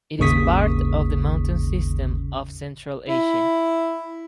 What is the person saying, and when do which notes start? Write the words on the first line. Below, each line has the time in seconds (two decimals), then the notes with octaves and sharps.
It is part of the mountain system of Central Asia.
0.19 G#1 D#2 C#3 C#6 D#6 B6
3.09 E4